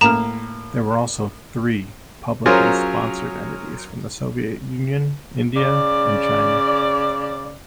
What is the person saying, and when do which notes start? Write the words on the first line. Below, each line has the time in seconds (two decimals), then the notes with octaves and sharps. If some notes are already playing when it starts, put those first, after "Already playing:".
There were also three publicly sponsored entities from the Soviet Union, India and China.
0.01 A2 A#3 A#5 F6 E7
2.46 F#3 C#4 F4 G#4 A#4 C5
5.57 C#3 D5